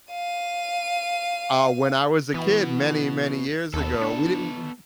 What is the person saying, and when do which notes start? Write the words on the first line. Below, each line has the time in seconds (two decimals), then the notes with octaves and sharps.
Uh, when I was a kid many, many years ago, we didn't
0.12 F5 D#7
2.34 E3 B3 F#4
3.74 D#2 B3 A4
4.02 D4